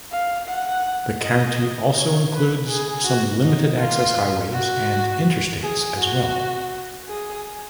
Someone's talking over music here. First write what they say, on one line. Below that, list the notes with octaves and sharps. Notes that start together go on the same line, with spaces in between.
The county also includes some limited access highways and Interstates as well.
F5
F#5
D#5
C#5
B4
G#4
F#4
D#4
F4
F#4
G#4
F#4
G#4